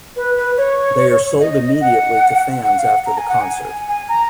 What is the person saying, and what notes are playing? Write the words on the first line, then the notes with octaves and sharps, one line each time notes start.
They are sold immediately to fans after the concert.
B4
B4
C#5
D#5
F#5
F#5
F5
F#5
A#5
G#5
F#5
G#5
G#5
A#5